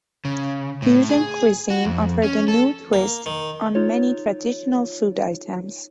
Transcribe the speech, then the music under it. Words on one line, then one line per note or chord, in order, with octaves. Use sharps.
Fusion cuisine offered a new twist on many traditional food items.
C#3
A2
G#4
F#4
F2
C#4
A4
A#3
D#3
D#4 F4 C#5